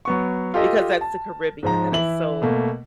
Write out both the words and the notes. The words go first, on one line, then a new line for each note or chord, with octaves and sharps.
because that's the Caribbean, that it's so,
F#3 B3 C#6
F4 G4 A4 D#5
A5
G#2 F3 A#5
E3 E4 F#7
B2 A3 A#3